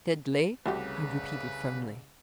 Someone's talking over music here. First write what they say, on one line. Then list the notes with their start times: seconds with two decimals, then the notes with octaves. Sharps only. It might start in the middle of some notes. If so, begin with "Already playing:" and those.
"Sidley," I repeated firmly.
0.66 C2 C#3 A3 F#4 G4 B4